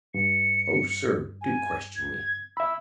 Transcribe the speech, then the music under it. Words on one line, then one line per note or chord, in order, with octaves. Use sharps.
"Oh, sir, do question me!"
G2 C#7
G#5
G#6
E5 B5 E6